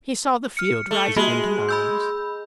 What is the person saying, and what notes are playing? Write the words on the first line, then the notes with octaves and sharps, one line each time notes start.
He saw the field rising into mounds.
F6 C#7
A3
G#3 A#3 F#4 B5
B5 E6 G6